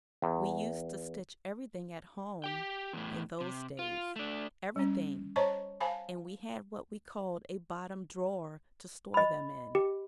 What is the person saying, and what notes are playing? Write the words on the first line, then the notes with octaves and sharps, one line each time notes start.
We used to stitch everything at home in those days--everything; and we had what we called a "bottom drawer" to store them in.
E2
G4 G5
E2 A2
C3
F4
A3 D4
G3 C#4
C5 C#5 D#5 A5 A#5 C#6
C5 F5 G#5 A5 B5
D#5 B5
G4